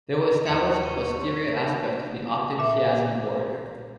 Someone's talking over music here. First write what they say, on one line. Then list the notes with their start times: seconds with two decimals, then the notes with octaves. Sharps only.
They will establish the posterior aspect of the optic chiasm border.
0.46 D#1 D#4 C#7
0.85 C#6 D#7
1.14 C#4 C5
2.59 A#2 E5